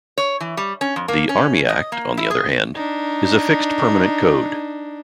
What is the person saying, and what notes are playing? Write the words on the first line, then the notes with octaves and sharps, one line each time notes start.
The Army Act, on the other hand, is a fixed permanent code.
C#5
E3
G3
C#4
F2
A#3
C#4
D#5
A#3
E4
G#4
D4 D#4